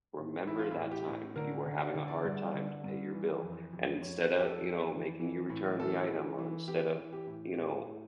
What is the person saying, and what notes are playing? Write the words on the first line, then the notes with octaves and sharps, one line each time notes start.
Remember that time you were having a hard time to pay your bill, and instead of," you know, "making you return the item, or instead of," you know, "g
A2
E3 E4
F4
E4
A2
G4
A2
D3 A#4
D3
D5
D3
D5
G2
D3
G2
E3
F2
F2
F2 C#5
F2
G4
A4
F2
E3
E3
A2
E3 A4
E3
E3
E3 G4
E3
G4
A2
A2 G4
A2